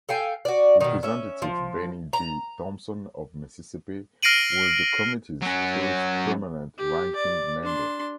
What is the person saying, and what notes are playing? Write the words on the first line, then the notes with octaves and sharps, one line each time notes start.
Representative Bennie G. Thompson of Mississippi was the Committee' first permanent Ranking Member.
A4 F5 G5 G#5
F#4 D5
B2 D#3
C#4 E5
F3
A#5
F6 A#6 C7 D7 D#7 F#7
F#3 C#4
G4
D5
D4 C6